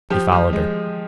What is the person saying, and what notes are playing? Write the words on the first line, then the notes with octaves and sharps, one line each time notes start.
He followed her.
F3 G4
F3
G#3